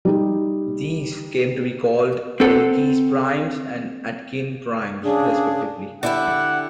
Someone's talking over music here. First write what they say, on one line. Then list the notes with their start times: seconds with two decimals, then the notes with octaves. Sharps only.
These came to be called Elkies primes and Atkin primes respectively.
0.05 G3 D#4 G4
2.40 C4 A4 F#5
5.04 C#3 D4 G#4
6.03 D3 E4 G4 F#5